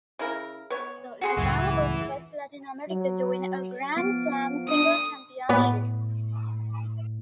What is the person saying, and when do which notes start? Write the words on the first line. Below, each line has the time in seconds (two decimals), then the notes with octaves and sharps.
Also, Lizana was the first Latin American to win a Grand Slam singles championship.
0.19 C#3 E4 A#4
0.70 B3 C#5
1.21 F#4 G#4 C6
1.37 C#2 F#2 A2 E3
2.89 F#3
3.97 F3 B3 D7
4.68 D4 D#6
5.49 A2 B3 B4